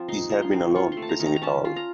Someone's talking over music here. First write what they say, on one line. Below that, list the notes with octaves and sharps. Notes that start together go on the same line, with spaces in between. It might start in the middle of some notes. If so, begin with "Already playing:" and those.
He had been alone: facing it all.
Already playing: F3 C4
D#4 C6
F3 A#5
C6
C4
F4 C#6
C6
A3
A5
A#5
D#3
A#5
A#5
C#4 A5
F4
A#5